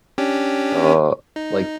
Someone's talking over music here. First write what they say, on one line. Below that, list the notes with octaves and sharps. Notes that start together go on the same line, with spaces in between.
Uh, like
C#4 D4 G4
D#4